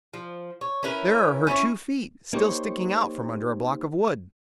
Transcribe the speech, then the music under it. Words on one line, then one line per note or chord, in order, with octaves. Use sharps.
"There are her two feet, still sticking out from under a block of wood."
F3
C#5
C#4 E4 A#4 B4
C#4 E4 A4 C#5
A#3 D#4 G4 C5 C#5